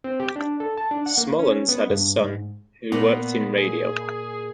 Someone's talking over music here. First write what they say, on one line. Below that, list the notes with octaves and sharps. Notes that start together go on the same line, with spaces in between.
Smallens had a son who worked in radio.
C4
G4
D4
A4
A5
D4
F#5
A#3
C#4
B3
G2
G#2
A#2 B3
G#4